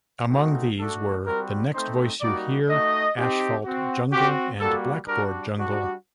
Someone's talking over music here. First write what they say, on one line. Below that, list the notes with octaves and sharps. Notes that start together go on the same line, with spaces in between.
Among these were "The Next Voice You Hear", "Asphalt Jungle", and "Blackboard Jungle".
A3 C4 D#4 F#4
A3 D4 F#4 A4
G3 C4 F#4 A#4
A3 C4 D#4 C5
G3 A#3 D#4 F#4 D5
A3 D#4 F#4 D#5
C4 D#4 G4
C4 F#4
C4 F#4 G4
G3 A#3 F#4 A4
G3 D4 F#4 A#4
G3 D4 F#4